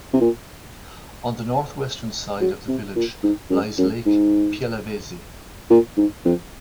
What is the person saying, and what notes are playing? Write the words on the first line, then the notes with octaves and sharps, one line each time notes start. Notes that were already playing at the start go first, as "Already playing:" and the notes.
On the north-western side of the village lies lake Pielavesi.
C3
A#2
F#3
C3
A#2
G#2
F#2
F#2
G#2
A#2
G#2
F2